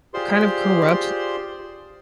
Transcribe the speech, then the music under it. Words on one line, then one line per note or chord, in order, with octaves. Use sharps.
kind of corrupt
F4 G4 G#4 C5 D5 C6